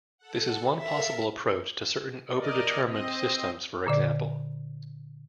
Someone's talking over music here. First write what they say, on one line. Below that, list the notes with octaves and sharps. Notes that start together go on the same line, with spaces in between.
This is one possible approach to certain over-determined systems, for example.
A4 F#5
A4 A#4 E5 F5
A#4 D5 D#5
C4 D#5
A#2 D3 D5